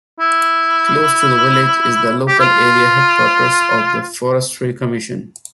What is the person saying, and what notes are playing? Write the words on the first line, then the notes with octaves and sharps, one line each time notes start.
Close to the village is the local area headquarters of the Forestry Commission.
E4
G4
F4